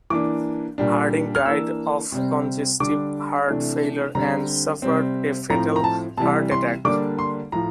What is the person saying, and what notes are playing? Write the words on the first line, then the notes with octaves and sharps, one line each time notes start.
Harding died of congestive heart failure and suffered a fatal heart attack.
E3 A#3 D4 D6
A#2 G3 D4
F6
E3 A#3 D4 E6
C3 G3 C4
D3 G3 D4 D6
C3 E3 A3 D4
D3 G3 C4 A#5
C3 G3 C4
A2 F3 C4 A#5
A#5
A5
C3 E3 G3 A5
C6
D3 G3 A#3 D4 D6
C6
A2 F3 A#5